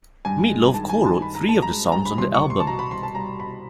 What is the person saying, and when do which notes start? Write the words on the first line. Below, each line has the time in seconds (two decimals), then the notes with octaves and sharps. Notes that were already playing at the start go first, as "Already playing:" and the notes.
Meat Loaf co-wrote three of the songs on the album.
0.25 G2 G#5
0.49 G#3
0.74 D#3 A5
0.89 G#5
0.97 D#3
1.06 A5
1.22 G2 B5
1.35 A#5
1.45 G#3 A5
1.62 A#5
1.70 G#3
1.92 G2 A#5
2.05 B5
2.18 C2 C6
2.34 C#6
2.42 C2
2.50 C6
2.60 A5
2.67 B2 A#5
2.79 B5
2.91 C2 C6
3.03 A5
3.15 G3 A#5
3.40 B2 B5